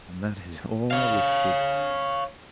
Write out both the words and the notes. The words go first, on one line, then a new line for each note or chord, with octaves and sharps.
And that is all I elicited.
C#5 F5